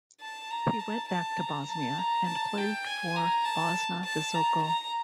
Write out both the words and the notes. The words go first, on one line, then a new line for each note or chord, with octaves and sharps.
He went back to Bosnia and played for Bosna Visoko.
A5
A#5
A5
A5
A#5
A5
A#5
A5
G5
G#5
A#5
A5
A5
A#5
A#5